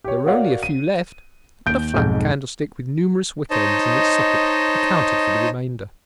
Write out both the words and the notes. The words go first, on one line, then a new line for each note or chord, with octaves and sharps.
There were only a few left, but a flat candlestick with numerous wick-ends in its socket accounted for the remainder.
G4 C#5
F#4 A#4 C#5 D5 F5 F#5
D#7
D#2 G6 D7
B1 F2 G#2
D#4 C5 C#5 D#5 A5